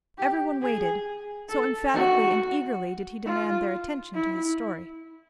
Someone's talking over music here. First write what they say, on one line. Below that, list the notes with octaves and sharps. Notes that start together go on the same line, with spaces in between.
Everyone waited, so emphatically and eagerly did he demand their attention to his story.
G4
G#4
A4
F#4
F4
E4